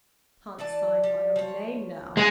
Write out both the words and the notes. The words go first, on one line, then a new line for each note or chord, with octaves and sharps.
I can't sign my own name now.
E3 D5 A5
G3
F3 C#5
G#3